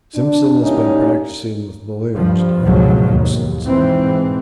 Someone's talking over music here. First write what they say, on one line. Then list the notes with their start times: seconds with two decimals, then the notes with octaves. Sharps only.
Simpson has been practising with balloons during our absence.
0.15 D4
0.62 D#2 A2 G3 C#4 D#4
2.15 G2 F3
2.61 G#1 C#2 G#2 B2 F3 F#3
3.11 D#2
3.66 G#2 B2 E3 C4